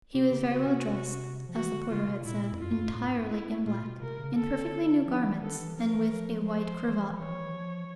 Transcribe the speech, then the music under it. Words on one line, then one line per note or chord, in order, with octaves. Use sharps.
He was very well dressed, as the porter had said, entirely in black, in perfectly new garments, and with a white cravat.
C3 G4
C#3
C#3 F#4
C3
F3
E3 F#4
D3
C#3 F4
C3
A#2 E4
F2
F#2 F4
G2
G#2
A2
G2
G#2
E4
A#2 F4
B2
C3 A#4
C#3
D3 A4
F3 G4
E3
D#3 A4
E3
F3 A#4
E3
F3
C5
E3
F3
E3
F3
E3 C#5
F3
E3
F3